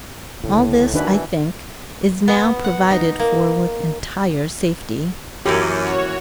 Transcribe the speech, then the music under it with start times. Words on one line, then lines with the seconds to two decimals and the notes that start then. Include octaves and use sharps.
All this, I think, is now provided for with entire safety.
0.44 C#2 A2 D3
0.93 B2 D#3 E3 D4 D#4 B4
2.28 B3
2.64 F#5
2.90 D#4
3.19 A#3
5.46 F#2 E3 A#3 C#4 G4
5.83 F#4 C#5